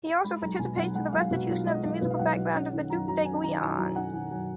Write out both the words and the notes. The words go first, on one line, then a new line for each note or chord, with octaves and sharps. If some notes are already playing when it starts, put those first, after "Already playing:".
He also participates to the restitution of the musical background of the Ducs d’Aiguillon.
G#3 B5
B1 A#5
B2 G#5
B1 F#5
G#3 F#5
B1 F5
B2 F#4
B1 F4
G#3 D#5
B1 D#5
B2 B4
F5
B1 F#5
F#3
C#4
D#3
F#2 A#5
F#3 A#5
C#4 G#5
D#3 A#5
F#2 G#5
F#3 A#5
C#4 F#5
D#3 G#5
F#2 G#5